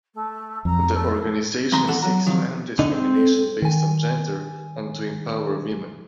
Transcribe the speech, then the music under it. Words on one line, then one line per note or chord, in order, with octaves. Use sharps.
The organisation seeks to end discrimination based on gender and to empower women.
A3
F2 A#5
A3
G#2 C3 D#3 A#5 C6
B2 E3 A4 F#5
F#3 F#4 A#5
C3 D#3 F3 F#3
D3 D#4
C4
A4
D#3 G#5